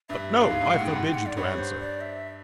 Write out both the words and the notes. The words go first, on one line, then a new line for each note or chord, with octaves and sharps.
But no. I forbid you to answer.
G2 E5
G2 F5
G#2
G2
A2 F#5
G#2
G2 G5
G#2 F#5
G5
F#5
D5
G2 C#5
C5
D5
E5